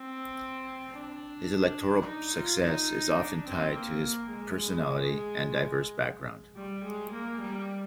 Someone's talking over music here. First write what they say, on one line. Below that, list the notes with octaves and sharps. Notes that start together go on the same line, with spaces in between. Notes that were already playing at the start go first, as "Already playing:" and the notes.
His electoral success is often tied to his personality and diverse background.
Already playing: C4
D4
D#4
F4
D#4
D4
C4
A#3
G#3
G3
G#3
A#3
G3